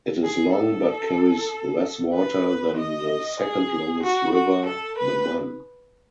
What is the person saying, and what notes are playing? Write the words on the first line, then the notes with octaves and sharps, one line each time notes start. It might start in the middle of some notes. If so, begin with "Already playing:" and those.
It is long but carries less water than the second longest river, the Mun.
G#4
A4
B4
D#5
G#4
F#4
F#4
A4
B4